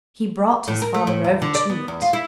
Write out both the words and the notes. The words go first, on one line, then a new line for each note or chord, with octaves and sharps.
He brought his father over to it.
A2
A#4
A3
A2
E2
D3
D5
B3
E2
F4
E4